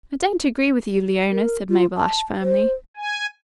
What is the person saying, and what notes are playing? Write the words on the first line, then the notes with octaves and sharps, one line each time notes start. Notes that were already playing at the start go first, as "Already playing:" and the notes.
"I don't agree with you, Leona," said Mabel Ashe firmly.
A#4
F4
A5
C5
G#5